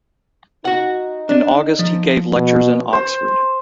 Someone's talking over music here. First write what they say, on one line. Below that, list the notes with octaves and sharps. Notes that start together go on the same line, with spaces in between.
In August he gave lectures in Oxford.
D#4 F#4 F#5
D4
F3
B2
C5